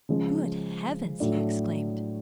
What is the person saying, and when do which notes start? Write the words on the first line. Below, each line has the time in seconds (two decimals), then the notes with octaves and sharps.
"Good heavens!" he exclaimed.
0.09 C#3 F3 G#3
1.20 A2 F#3 A3 D4